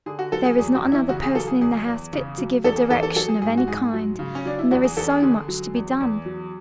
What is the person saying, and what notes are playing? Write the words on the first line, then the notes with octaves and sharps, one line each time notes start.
There is not another person in the house fit to give a direction of any kind, and there is so much to be done.
D3 G#4
F#4
F#3 A4
G#4
E2 G#4
F#4
E2
E4
C#3 F#4
G#4
F#3 A4
G#4
E2 G#4
E2
C#3
F#3
E2 A4
G#4
E2 A4
A4
F#3 A4
G#4
G#2 G#4
F#4
G#2 G#4
F#3
C#3
C#4
F#3 D4
E4
E2 F#4
G#4
E2 A4
G#4
D3 G#4
F#3
E2
E2
F#3